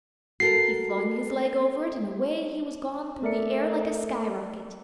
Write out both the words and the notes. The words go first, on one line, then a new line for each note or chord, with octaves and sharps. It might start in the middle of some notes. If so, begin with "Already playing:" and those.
He flung his leg over it, and away he was gone through the air like a sky-rocket.
F#4 A4 A#4 C7
A3 A4 A#4 D5 E5 C#7